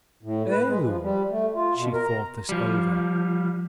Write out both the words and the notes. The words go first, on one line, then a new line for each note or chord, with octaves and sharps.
"Oh!" She thought this over.
A2
B4
G#3
F3
G3
A3
F4
B2
A#4
A#5
F3 G3